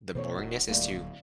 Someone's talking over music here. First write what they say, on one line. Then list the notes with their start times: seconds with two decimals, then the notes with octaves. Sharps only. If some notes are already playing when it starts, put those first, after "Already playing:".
the boringness is to
0.15 B2 A#3 C4 A4 C#5
0.36 D#1 D#3 F#4
0.68 D1 G3 A3 A#3
0.92 A#2